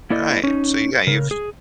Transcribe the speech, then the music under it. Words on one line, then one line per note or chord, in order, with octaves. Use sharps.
Right. So yeah, you've
A#3 E4 A4 D5 D#5
C#4 D#4
C#3 A#4
G#4